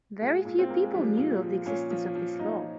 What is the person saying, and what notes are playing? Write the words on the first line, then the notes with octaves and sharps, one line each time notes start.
Very few people knew of the existence of this law.
A#2 G#3
A#2
C4
A#2 A#3
G#3
F3 G3
A#2
F3
A#2 C#4
F3
F3
A#2 D#4
F3